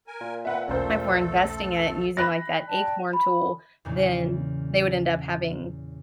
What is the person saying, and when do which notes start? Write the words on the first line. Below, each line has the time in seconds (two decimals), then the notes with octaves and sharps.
if we're investing it and using like that acorn tool, then they would end up having
0.07 A#4 G#5
0.21 A#2
0.45 C4 B4 E5 F#5
0.68 B1 E2 A3 C#4 A4 A#4 C5
2.17 B5 F#6 A#6
2.67 D5 G5 A5
3.13 B5
3.85 E2 A#2 C#3